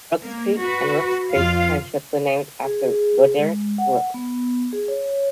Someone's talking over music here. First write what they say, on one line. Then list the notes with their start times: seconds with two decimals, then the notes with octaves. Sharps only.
Rooks Creek and Rooks Creek Township were named after Roderick Rook.
0.20 A#3
0.58 F#4 B4
1.30 F2 F4 F5
2.64 G#4
3.39 G#3
3.78 F#5
4.14 B3
4.73 G#4
4.88 C#5